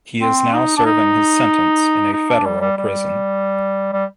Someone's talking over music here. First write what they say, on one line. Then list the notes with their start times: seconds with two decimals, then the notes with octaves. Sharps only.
He is now serving his sentence in a federal prison.
0.21 C4
0.54 D#4
0.77 D4
0.86 D#4
2.13 D#4
2.30 D4
2.46 G3
2.61 G3
2.78 G3
3.93 G3